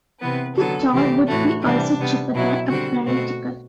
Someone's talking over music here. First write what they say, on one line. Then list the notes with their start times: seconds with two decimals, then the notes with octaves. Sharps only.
The toll would be also cheaper than a ferry ticket.
0.21 C3 E3 B3 B4
0.56 D3 F#3 B3 A4
0.92 C3 E3 A3 C4 G4
1.28 A2 E3 A3 F#4
1.63 C3 E3 G3 C4 D4
1.99 C3 G3 B3
2.34 B2 F#3 B3 E4
2.70 D3 G3 C4 F#4
3.06 B2 A3 C4 F#4